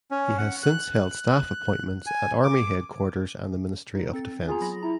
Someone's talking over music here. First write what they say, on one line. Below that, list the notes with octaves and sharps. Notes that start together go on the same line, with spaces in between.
He has since held staff appointments at Army Headquarters and the Ministry of Defence.
C#4
F#5
F#6
F#6
G#5
D6
D#4
C4 A4 A6
B3 F4 G#4 A#5
F#3 B5 A#6
E4 A#5